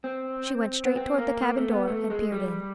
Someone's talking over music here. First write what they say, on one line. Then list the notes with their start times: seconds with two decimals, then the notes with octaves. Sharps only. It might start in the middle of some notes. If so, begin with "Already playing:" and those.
She went straight toward the cabin door and peered in.
0.04 C4
0.85 B3
0.96 C4
1.18 A#3
1.41 A#3
1.57 A3
1.71 B3
1.88 A3
2.10 G#3
2.32 G3